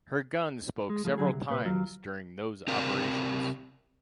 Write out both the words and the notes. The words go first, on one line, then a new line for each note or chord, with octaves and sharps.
Her guns spoke several times during those operations.
G#3
F3 G#3 A3
D3 F#3 G#4
C2
C2 A#2 B4
D#2 F#3 F4
C3 C4 A#4 D5 F5